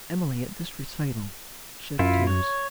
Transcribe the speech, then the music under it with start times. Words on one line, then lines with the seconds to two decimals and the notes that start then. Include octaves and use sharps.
Emily, at this recital, shed tears.
1.99 F#2 E4 F4 E5
2.27 C#5